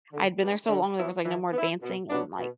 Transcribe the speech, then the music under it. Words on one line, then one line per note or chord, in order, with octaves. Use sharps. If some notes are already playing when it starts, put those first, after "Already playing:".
I'd been there so long there was, like, no more advancing and, like,
D3
G3 B3 D4
D3
F#3 B3 E4
E3
B3
E4
B2
F#3 B3 D4
B2